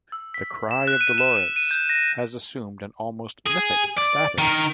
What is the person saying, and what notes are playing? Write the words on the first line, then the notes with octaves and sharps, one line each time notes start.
The "Cry of Dolores", has assumed an almost mythic status.
E6
B6
E7
F#6
D#7
E7
D#7
D#7
G6
A#6
G#4
D5
D#3 A#4